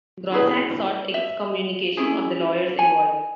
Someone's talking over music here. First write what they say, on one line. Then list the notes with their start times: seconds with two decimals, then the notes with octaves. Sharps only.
Grossack sought excommunication of the lawyers involved.
0.32 E4 G#4 B4
1.14 E5
1.97 C#4 E4 G#4
2.79 G#5